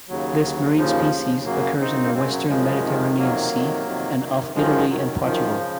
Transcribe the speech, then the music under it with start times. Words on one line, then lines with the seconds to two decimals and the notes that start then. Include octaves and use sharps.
This marine species occurs in the Western Mediterranean Sea and off Italy and Portugal.
0.08 D#2 C#3 F#3
0.43 D#2 C#3
0.77 D#2 C#3 F3
1.12 D#2 C#3
1.45 F#2 C#3 F#3 A#3
1.80 F#2 C#3 C4 D#4
2.07 A#3
2.14 F#2 C#3 G#3 C4
2.31 F#3
2.48 F#2 C#3 F3 G#3
2.83 F2 C3 D#3
3.17 F2 C3 D#3 F#3 A#3
3.52 F2 C3 D#3
3.86 F2 C3 D#3
4.21 F#2 D#3
4.54 F#2 D#3 F3 G#3
4.89 F#2 D#3 F#3
5.23 F#2 D#3 F3
5.57 C#3